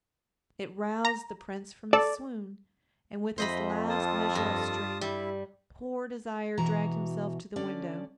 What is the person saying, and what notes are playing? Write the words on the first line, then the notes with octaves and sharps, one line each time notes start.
It roused the Prince from his swoon, and with his last measure of strength, poor Desire dragged himself to the window.
A#5
A4 D5
F2 C5 D#5 E5 B5
F4 A4 A5 D#6
G2
G3 E4 E5
B2 E3 F#4 A#5
D3 C#4 D5